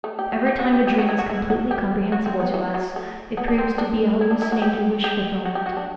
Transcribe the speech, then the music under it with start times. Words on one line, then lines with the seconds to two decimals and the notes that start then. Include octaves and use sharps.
Every time a dream is completely comprehensible to us, it proves to be an hallucinated wish-fulfillment.
0.04 A3
0.19 G4
0.32 F#4
0.46 G4
0.59 F#4
0.73 G4
0.87 G4
0.98 F#4
1.09 E4
1.18 F#4
1.30 E4
1.50 F#4
1.71 G4
2.12 F#4
2.26 C4
2.40 B3
2.54 E3
2.74 F#3
2.96 A3
3.37 B3
3.48 D4
3.58 C4
3.78 D4
4.21 E4
4.31 D4
4.42 E4
4.52 F#4
4.62 G4
5.04 G4
5.45 F#4
5.55 G4
5.66 F#4
5.77 D4